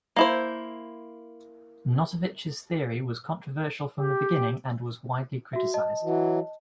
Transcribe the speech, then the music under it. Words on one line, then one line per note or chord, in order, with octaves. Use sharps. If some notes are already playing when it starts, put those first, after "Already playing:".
Notovitch's theory was controversial from the beginning and was widely criticized.
A#3 E4 C5
G4
F#4 E5
D#5 A5
E3 F#3